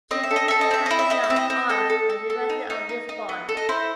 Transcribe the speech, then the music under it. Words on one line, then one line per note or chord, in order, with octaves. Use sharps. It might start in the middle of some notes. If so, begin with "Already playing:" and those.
She attended the Faculty of Arts at the University of Lisbon.
C4 D#5
E5
A4
D#5
A4 E5
D#5
C4 E5
E4 D#5
E5
E4 D#5
E5
C4
D#5
C4
A4 D#5
A4
A4
A4
D#4
D#4
D#4
D#4
B3
A4
D#5
E4 C5